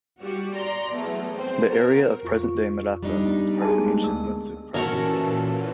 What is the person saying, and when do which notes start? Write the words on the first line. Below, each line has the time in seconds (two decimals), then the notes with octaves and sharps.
The area of present-day Murata was part of ancient Mutsu Province.
0.20 G3 F#4
0.52 D5 A#5 C6
0.92 E2 F#3 A3
1.36 C4 C5
1.68 F#4 A#4
2.23 F2 F4 C#6
3.03 G3 D4 D#4
3.27 B3
3.62 G#4 G#5 A5
3.78 G#3 A3 B3
4.04 D2 A#3 E6
4.74 A#2 E3 C#4 F#4 A4 A#4 A#5 C#6